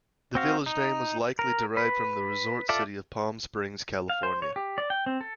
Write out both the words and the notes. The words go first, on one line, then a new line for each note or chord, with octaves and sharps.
The village name was likely derived from the resort city of Palm Springs, California.
C4 F#4 F5
D#4
A#4
B4
F4 A4 D5 E5
F5
C5
C#5
G4
D5
G5
C4
A4